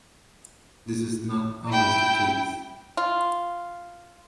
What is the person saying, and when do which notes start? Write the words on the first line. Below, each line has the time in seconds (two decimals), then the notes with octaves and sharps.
This is not "always" the case.
1.68 E4 G5
2.97 F4